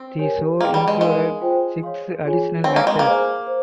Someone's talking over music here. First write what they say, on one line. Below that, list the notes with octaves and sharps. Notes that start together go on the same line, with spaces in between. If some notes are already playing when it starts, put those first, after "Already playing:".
The show included six additional matches.
Already playing: C4
G4 A#4 C#5 G#5
A#3 G#4 D#5 G5 C6
G3
G#3
G#3 D#4 A#4 F5
F4 C5 G5
C#5 F5 C6
F4 G#4 C#5 G#5
C4 C#5 G#5 C#6
A#3
G#3
A#3
G#4 C5 F5 G#5
C5